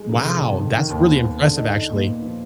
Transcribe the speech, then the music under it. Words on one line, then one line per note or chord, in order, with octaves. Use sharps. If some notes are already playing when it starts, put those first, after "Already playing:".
Wow, that's really impressive, actually.
Already playing: G#3
F1
F1
F2
D#3
D#3
D#2
B3
B3
D3
D#4
D#4
A#2
B3
F3